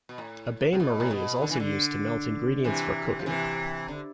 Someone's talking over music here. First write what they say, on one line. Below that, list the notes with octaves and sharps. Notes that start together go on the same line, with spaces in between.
A bain-marie is also used to melt ingredients for cooking.
B2
A2
C3
B2
A2
B2
D3
E3
D3
C3 E3
F3
C3 E3
D3